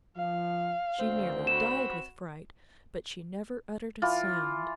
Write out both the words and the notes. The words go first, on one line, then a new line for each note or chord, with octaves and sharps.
She nearly died with fright, but she never uttered a sound.
F3 F5
D2 C4
F#4 B5 E7
E3 F4